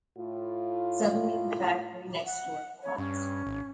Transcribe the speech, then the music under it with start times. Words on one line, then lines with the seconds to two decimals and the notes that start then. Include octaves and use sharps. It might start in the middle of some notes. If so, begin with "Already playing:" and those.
Suddenly the factory next door collapsed.
0.17 A2 F4
2.25 F#5
2.83 C#5
2.98 G2 C#4
3.46 G#1